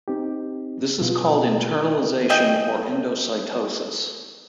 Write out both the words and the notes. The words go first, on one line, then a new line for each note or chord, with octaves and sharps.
This is called internalization or endocytosis.
C4 D#4 G4
B2 B3 F4
G#4 D#5 G5